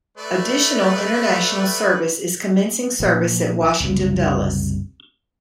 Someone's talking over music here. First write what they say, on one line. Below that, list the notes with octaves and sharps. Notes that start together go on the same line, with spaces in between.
Additional international service is commencing service at Washington Dulles.
A3 B4 D5
A#1
F#1 C2 C#3